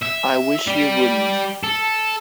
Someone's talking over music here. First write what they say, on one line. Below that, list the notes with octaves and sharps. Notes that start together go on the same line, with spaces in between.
I wish you wouldn't.
E5
G3
A4